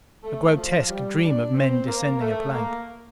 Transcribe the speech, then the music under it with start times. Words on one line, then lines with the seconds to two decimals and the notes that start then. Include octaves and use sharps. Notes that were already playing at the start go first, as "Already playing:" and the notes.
A grotesque dream of men descending a plank.
0.23 A3
0.56 F3
0.88 G3
1.22 D4
1.54 C4
1.88 A#3
2.21 A3
2.53 A#3